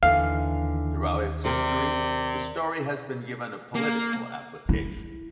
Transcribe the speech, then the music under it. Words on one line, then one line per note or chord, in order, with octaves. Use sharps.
Throughout its history, the story has been given a political application.
D#2 D3 E3 F5
C3 A#4 D5
A#3
E4